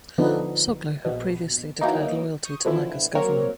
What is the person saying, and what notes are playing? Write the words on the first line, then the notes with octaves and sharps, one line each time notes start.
Soglo had previously declared loyalty to Maga's government.
D3 F3 B3 D4 D#4
A#1 B2
E3 F#3 A#3 D#4 D7
C#6 D#6 G6
B2 D3 E3 F3 E4 F4
F#3 A#3 C4 A#4 C#5